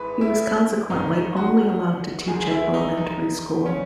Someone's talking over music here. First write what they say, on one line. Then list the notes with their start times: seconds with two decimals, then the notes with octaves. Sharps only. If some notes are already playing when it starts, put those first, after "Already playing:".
He was consequently only allowed to teach at elementary school.
Already playing: G#1 G#2 E3 G#3 B4
0.21 E4
0.90 G#1 G#2 D#3 D#4
1.13 D#4
1.37 F#4
2.28 E1 E2 D#3 G#3 G#4
2.51 E4
2.74 D#4
2.97 D#4
3.66 C#3 C#4